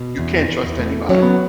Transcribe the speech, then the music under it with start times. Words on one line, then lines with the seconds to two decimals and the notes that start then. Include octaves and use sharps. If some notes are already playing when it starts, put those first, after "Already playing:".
you can't trust anybody,
Already playing: B2
0.18 E2
0.48 E2
0.79 A3
1.09 F#3 C#4
1.22 B3